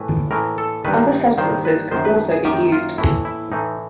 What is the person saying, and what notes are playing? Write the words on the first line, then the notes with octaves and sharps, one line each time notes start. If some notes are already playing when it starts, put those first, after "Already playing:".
Other substances could also be used.
Already playing: A2 E3 B4
A2 E3 A#4
A4
G2 D#3 B4
G2 D#3 C5
B4
F#2 D#3 C5
B4
G#4
F#2 D#3 G4
F4
A2 E3 E4
E4
A2 E3 D#4